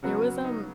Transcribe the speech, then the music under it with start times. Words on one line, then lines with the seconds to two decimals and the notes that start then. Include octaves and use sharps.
There was, um
0.03 C#3 F#3 B3 F#4
0.23 F#4
0.45 D#4